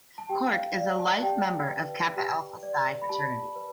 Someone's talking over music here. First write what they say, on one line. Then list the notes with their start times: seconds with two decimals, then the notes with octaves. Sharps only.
Corke is a Life Member of Kappa Alpha Psi fraternity.
0.18 A5
0.29 G4 G5
0.53 F5
0.76 D5 F5
0.99 A5
1.22 G4 G5
1.69 B4
2.16 G4
2.63 D5
3.02 B5
3.09 G4 A5
3.56 B4